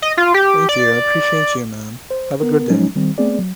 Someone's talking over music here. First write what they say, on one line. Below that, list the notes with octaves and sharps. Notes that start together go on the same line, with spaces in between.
Thank you, I appreciate you, ma'am. Have a good day.
D#5
F4
G4
D5
C5
B3 A#4
F3 F#3 G#3 C#4 D#4
D#3 G3 C4
A3 B3 C4 G#4 D5
F#3